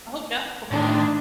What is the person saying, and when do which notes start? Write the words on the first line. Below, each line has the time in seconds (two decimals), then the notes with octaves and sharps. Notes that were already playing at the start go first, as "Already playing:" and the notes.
Oh, no.
0.71 A2 D#3 D4